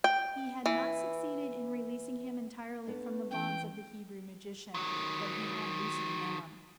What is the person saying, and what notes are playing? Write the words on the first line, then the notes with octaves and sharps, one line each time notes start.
He had not succeeded in releasing him entirely from the bonds of the Hebrew magician, but he had loosened them.
G5
E3
A3 B3 D4 B4
E3 C#4 G5
D#3 F#3